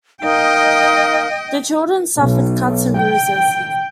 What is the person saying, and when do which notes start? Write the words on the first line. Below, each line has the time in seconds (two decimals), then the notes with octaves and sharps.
The children suffered cuts and bruises.
0.22 D#4 A#4 D#5 F5 G5
2.17 B1
2.99 G5